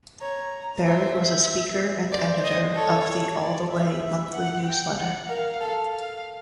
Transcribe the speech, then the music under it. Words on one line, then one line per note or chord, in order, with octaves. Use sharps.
Barrett was a speaker and editor of the "All The Way" monthly newsletter.
C#5 A#5
C5 E5
C5 D5
D#5
A4 C#5
D5
E5
E5
F#5
G5
F#5
A#4 F5
A4
F5